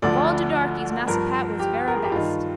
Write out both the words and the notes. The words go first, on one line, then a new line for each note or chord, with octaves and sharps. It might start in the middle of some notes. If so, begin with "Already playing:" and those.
Of all de darkies Massa Pat was verra best.
D2 D3 F3 D5
G2 F3 A#4
G4
A#4
G#4
G4
G2 D#3 F4